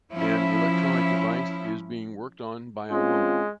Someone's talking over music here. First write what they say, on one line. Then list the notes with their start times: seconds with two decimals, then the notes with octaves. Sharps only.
An electronic device is being worked on by a woman.
0.12 F3 C#4 E4
2.91 G#3 C4 C#4 F4